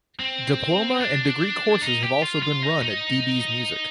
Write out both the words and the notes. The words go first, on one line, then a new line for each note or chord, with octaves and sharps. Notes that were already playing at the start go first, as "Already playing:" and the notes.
Diploma and degree courses have also been run at dBs Music.
C4
D4
D#4
G4
F4
F4
D#4
D#4